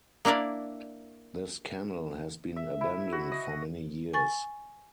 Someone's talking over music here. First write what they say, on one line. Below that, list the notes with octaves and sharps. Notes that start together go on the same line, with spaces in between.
This canal has been abandoned for many years.
A#3 D4 E4 A#4 D5
E5
E4
F#4
D#5
G#5 C#6 A6